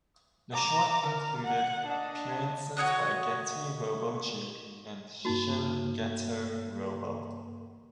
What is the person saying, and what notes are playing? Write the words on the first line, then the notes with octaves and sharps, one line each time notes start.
The short included appearances by Getter Robo G and Shin Getter Robo.
A#5 D6
A#4
F#5
D4 D#5
F#4 C#5 D#5 F#6
G2 A#3 D#4 F#4